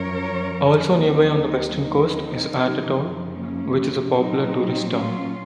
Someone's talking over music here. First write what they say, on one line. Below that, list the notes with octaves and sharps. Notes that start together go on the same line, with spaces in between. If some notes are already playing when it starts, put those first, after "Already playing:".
Also nearby on the western coast is Artatore, which is a popular tourist town.
Already playing: F#2 F3 A#4 C#5
D#2 D#3 F#3 C4 D#4
C4 D#4
F#2 C#3 F3
A#3 C#4
A#2 F#3 C4 D#4
C#4 F4